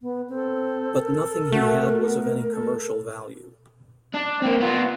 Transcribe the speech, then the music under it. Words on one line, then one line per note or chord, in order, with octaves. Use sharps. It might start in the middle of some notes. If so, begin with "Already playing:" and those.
But nothing he had was of any commercial value.
B3
C4 A4
A#4
A3 F#4
B3
A4
D4
A#3 C4
B3 F4